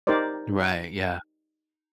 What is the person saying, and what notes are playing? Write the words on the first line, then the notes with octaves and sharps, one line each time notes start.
Right, yeah.
D#4 G4 A#4 C5 D5